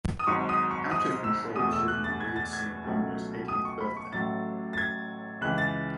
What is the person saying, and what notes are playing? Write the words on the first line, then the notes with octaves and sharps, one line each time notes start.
"Out of Control" was written on lead singer Bono's eighteenth birthday.
D#6
G#1 G#2 F#3 C#6
D#6
C#6
D#6
E6
E2 B2 A3 D#6
E6
F#6
A6
G#6
A6
G#6
C#2 B2 F#3 A3
D#6
C#6
B5
C#6
A1 A2 F#3 A3 A6
A6
G#6
C#2 C#3 E3 G#3 F#6
A6